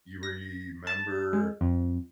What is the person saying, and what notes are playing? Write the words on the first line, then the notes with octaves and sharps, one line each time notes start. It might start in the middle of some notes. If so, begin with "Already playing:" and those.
you remember,
A#6
A5
G#3
F2